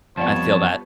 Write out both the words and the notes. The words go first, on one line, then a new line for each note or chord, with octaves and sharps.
I feel that.
F2 F3 G3 B3 C#5 A5